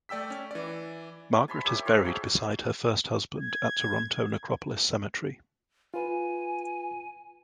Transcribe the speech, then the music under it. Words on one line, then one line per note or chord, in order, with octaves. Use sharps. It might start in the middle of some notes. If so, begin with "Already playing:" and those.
Margaret is buried beside her first husband at Toronto Necropolis Cemetery.
A3 D5 G5 E6 B6
C#4
E3 D5
G#5 A5 B5 C6
G4 A#4 C#5 E5
F4 C5 E5 F5
F#4 G#4 A4 G5
G#6
F4 B4 G#5